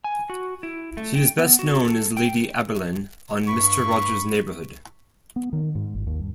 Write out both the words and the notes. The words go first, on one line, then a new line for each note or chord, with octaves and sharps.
She is best known as "Lady Aberlin" on "Mister Rogers' Neighborhood".
G#5
F#4
E4
A3
G5
B3
F#4
A4
G5
G2 B5 C#6
B3
D#3
G#2
G1
D#2
G2